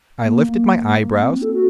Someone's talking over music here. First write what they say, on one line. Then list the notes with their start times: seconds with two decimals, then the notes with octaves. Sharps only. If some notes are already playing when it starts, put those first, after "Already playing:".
I lifted my eyebrows.
0.24 A#3
1.20 C4
1.42 A4
1.53 F#4